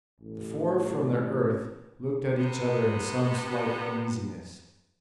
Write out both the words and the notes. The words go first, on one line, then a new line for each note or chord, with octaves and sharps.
The four from the earth looked at each other in some slight uneasiness.
A1
C3 B3